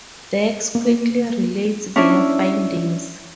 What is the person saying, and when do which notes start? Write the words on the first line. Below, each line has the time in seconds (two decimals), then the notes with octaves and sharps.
Dax quickly relates their findings.
0.75 A#3
1.96 C#4 D4 E4